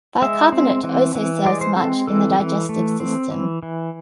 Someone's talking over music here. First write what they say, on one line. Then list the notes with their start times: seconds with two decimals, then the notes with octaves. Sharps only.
Bicarbonate also serves much in the digestive system.
0.22 G#3 E5
0.52 C4
0.83 E3
1.15 E3
1.45 G#3 D5
1.61 C5
1.76 C4 A4
2.07 E3 A4
2.39 E3
2.69 A3
3.00 C4
3.31 E3
3.63 E3